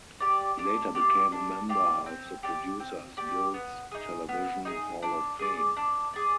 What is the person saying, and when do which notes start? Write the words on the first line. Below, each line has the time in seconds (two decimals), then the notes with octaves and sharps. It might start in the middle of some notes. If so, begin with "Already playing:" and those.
He later became a member of the Producers Guild's Television Hall of Fame.
0.20 G4 D5
0.58 D4
0.95 G4 D5 F5
1.32 D4
1.69 G4 D5 F5
2.06 C4
2.43 G4 D5
2.80 C4
3.17 G4 D5
3.54 B3
3.91 D#4 G#4
4.29 B3
4.65 D#4 G#4
5.02 D4
5.39 G#4 D5
5.77 D4
6.14 G#4 D5